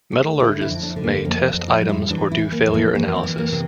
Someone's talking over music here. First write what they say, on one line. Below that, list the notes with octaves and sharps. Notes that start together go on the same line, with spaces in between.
Metallurgists may test items or do failure analysis.
A3
D3 E4
E4
F2
D4
D3
A#3
F2 A#3
F2
F4
G3
E4
E3 D4
E4
E3
A#3
F2
A#3
E3 A#3
C4
E3
A#3
C3